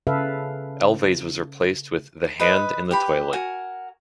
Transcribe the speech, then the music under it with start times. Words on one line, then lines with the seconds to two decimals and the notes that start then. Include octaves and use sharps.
Elvays was replaced with "the Hand in the Toilet".
0.07 C#3 A4 B4 E5 F5
2.40 B4 D#5 C#6
2.91 G4 B4 B5
3.33 F#4 A#4 G#5